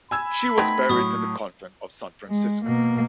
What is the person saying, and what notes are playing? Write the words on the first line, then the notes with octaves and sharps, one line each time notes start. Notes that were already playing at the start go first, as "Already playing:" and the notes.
She was buried in the Convent of San Francisco.
G#5 B5 E6 G#6
A3 B3 C4 D#4 G#6
A2 F#3 C#6 D#6
G#3
B2 A#3